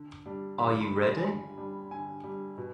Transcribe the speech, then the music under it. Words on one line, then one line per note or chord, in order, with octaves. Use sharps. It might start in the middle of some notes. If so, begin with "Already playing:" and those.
Are you ready?
Already playing: D3
G3 D4
D3 B5
B5
G3 D4
C6
G#5
D3 B5
G3 D4
D3 G#5
G3 D4
B2